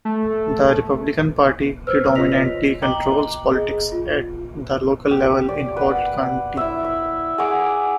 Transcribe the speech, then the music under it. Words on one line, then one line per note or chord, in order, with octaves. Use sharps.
The Republican Party predominantly controls politics at the local level in Holt County.
A3
B4 C5 E6 F6
F4 C#5 D#5 A#6 B6 F7
D#5 G5 A#5 D6 F#7 G7
G#4 D#5
F4
G4
D5
B4 F#5
E4 E5
E5
G#4 F#5 G#5 D6